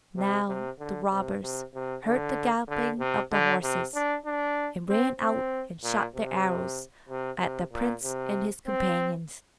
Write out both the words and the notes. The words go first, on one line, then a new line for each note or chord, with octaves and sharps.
Now the robbers heard the galloping of the horses, and ran out and shot their arrows at the prince and his companions.
C3
C3
D3
C3
C3
C3
D3
D3
C3
D3
C3
D4
D4
C4
C4
A#2
C3
C3
C3
A#2
C3
C4